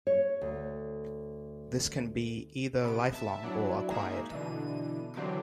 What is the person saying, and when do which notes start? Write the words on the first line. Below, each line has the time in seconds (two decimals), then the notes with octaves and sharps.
This can be either lifelong or acquired.
0.07 C#5
0.41 D2
2.83 C3 B3 D7
3.13 E5 A5
3.43 F#3 D4 E4
3.90 G#3 A#3 D#4 G#4 E5
4.30 B2 D3 E3 D#7
5.16 D3 E3 F#3 C4 G4